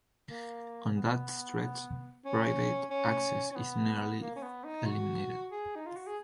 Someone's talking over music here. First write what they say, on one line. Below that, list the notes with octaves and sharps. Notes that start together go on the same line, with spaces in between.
On that stretch, private access is nearly eliminated.
A#3
B3
C#4
C#4
C#4
B3
A#3
C#4
B3
D#4
F#4
G#4
D#4
F4
F#4
G#4